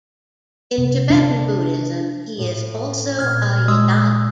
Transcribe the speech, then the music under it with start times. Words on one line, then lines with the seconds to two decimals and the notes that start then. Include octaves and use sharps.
In Tibetan Buddhism, he is also a yidam.
0.78 C3
1.10 D4
2.37 A2
3.19 A#2 F6 G#6
3.68 G#3 D#6 E6